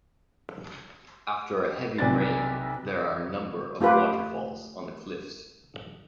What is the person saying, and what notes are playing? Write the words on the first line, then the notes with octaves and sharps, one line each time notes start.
After heavy rain there are a number of waterfalls on the cliffs.
B1 C3 B4 D5 A6
A3 F4 G4 B4